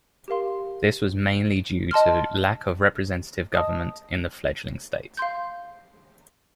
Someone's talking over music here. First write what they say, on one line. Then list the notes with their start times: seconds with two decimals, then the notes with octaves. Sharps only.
This was mainly due to lack of representative government in the fledgling state.
0.28 G4 A#4 F5 C6
1.91 D#5 A5 C6 F6
3.54 D#5 A5 D#6
5.17 F5 C6 G6